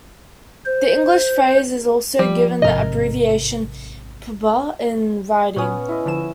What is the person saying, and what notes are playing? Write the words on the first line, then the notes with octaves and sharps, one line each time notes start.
The English phrase is also given the abbreviation "pbuh" in writing.
C5
F3 G3
A1 G#2 C3 A#4 D#5
A#2 B3 C#4 B4 C#5 D#6
E4 D#5
D3 F3 E7